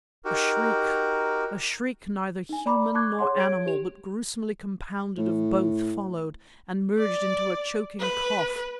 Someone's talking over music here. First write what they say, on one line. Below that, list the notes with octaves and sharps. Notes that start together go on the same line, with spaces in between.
A shriek--a shriek neither human nor animal, but gruesomely compounded of both--followed... and merged into a choking cough.
D#4 F#4 G4 A#4
D#4 G#5
D5 A#5 B5 D6
A5 C#6 D6 F#6 G#6
G#4 C#5 F#5 C6
C#5 G#6 D7
G4 F7
A2
D5
B4